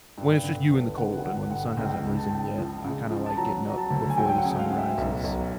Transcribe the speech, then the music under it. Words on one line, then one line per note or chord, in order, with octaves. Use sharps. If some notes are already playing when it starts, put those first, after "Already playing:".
when it's just you in the cold, and when the sun hasn't risen yet, I kinda like getting up before the sun rises,
G2
D3
G1
D3 F#5
G1 F#5
G2 F#5
C#2 G5
C#2
A5
C#2
F3
C#3
F3
A5
F#3 A#5
F#3
A5
D2
G#5
F#3 G5
G5
F#5
C#3
F5
C#3
E5
B1
B1